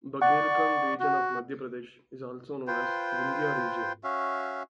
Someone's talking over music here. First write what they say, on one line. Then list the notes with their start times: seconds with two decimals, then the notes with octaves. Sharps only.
Bagelkhand region of Madhya Pradesh is also known as Vindhya region.
0.22 D5 F#5 C#6
1.00 F#4
2.67 F4 B4 C5 G5
4.04 C#4 F#4 E5 F5